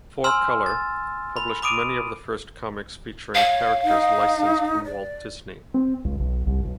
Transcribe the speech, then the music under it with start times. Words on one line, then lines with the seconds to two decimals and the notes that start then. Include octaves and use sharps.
"Four Color" published many of the first comics featuring characters licensed from Walt Disney.
0.24 G#5 C6 E6 F6 E7
0.66 A6
1.37 B5
1.62 B5 D6 D#6 D7 D#7
3.35 C#5 F5
3.84 D#4
4.84 D5
5.74 C4
6.05 C#2
6.20 B1
6.47 C2
6.65 B1